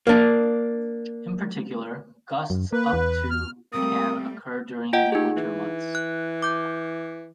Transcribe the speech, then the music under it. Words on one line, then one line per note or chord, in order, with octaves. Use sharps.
In particular, gusts up to can occur during the winter months.
A#3 D4
F#2
A#3 B4
E2
F6
G3 A3 A#3 C4 D#6
F4 D#5 F#5 G5
D#4 G4 G#4
E3
F#6
D6 G6